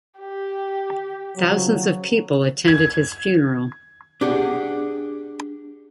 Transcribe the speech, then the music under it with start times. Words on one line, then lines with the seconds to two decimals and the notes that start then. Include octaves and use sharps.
Thousands of people attended his funeral.
0.20 G4
1.37 C#3 F3 F#3
2.68 G#6
4.21 D4 G4 G#4 F#5